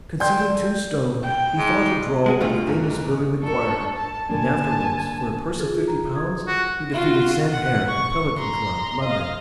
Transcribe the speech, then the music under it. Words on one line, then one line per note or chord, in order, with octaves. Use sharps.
Conceding two stone, he fought a draw with the famous Billy McQuire, and afterwards, for a purse of fifty pounds, he defeated Sam Hare at the Pelican Club, London.
A4 D5 G5 C6 G6
G5
G#2
G3 G#3 F#4 G#4
D2 G2 A3 F4 G4 F6
E2 G#2 D#7
D4 A4 A#4 C#6
A5
D3 A#3 D4 G#5 A5
F4 G#4 A4
A#5
D#6 G#6
F#4
F4 F#4
F#5
C#6
A#5 C6
D#5 F5